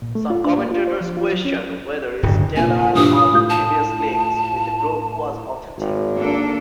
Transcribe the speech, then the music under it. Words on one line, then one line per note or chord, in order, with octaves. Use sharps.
Some commentators questioned whether his denial of previous links with the group was authentic.
A#2
A3
F4
D4
A#3
F4
C5
F3
F4
F#3
C#4
D1 G2 C#3
F1 A#2 G#5
G2 A#2 E3 D#6
A2 F4 G6
A5
G#1
A#3 D4 A4